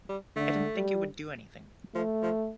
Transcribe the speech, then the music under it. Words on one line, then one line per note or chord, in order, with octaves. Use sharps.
I didn't think it would do anything.
G3
D3 A3
G3
F3 A3
F3